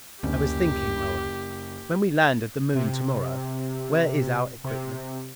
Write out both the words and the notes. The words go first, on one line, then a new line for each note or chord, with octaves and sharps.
"I was thinking, Moa--when we land at the Moon tomorrow--where is our equipment?"
F#1 D2 C#4 G4
C3
C3